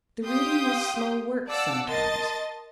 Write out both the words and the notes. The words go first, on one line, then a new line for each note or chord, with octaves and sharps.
The reading was slow work sometimes.
G4 F5 G5 C6 D#6 G6
D5 F5 F#5 A5 D6 E6
A#4 D#5 A5 C6 A6